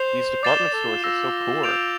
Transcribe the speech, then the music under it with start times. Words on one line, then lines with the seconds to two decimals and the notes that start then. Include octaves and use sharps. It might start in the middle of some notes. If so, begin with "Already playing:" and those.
These department stores are so poor!
Already playing: C5 G6 C7 F7
0.43 D5 D6 A6 C7 E7 G7
0.58 D5
0.73 A4
0.88 F4
1.03 F4 E6 A#6 E7
1.63 D6 G6 D7 F7